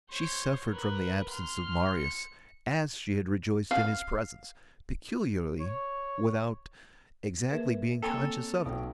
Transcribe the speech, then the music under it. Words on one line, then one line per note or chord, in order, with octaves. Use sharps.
She suffered from the absence of Marius as she had rejoiced in his presence, peculiarly, without exactly being conscious of it.
C5 C#5
A#4 B4
C6 F6
C#7
F5
C#5
A#3 G#4 A#4 B4 E5 G#6
A#3 C4 A4 C#5 G5 G#5 A#5
B1 B2 D#4 G5